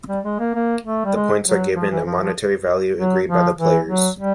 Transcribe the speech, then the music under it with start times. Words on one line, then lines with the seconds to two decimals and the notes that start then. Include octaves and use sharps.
The points are given a monetary value agreed by the players.
0.09 G3
0.25 G#3
0.40 A#3
0.55 A#3
0.85 A3
1.05 G3
1.15 G#3
1.46 F#3
1.75 F3
1.91 E3
2.06 F3
2.21 F3
2.97 F#3
3.27 F3
3.58 E3
3.87 F#3
4.18 G3